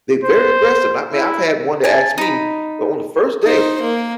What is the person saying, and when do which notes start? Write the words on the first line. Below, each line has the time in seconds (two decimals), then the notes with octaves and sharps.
They're very aggressive, I mean, I've had one that asked me o on the first date,
0.24 C5
1.13 E4
1.84 G#5 A5
2.18 D#4 B5
3.44 D#4 C5
3.82 A#3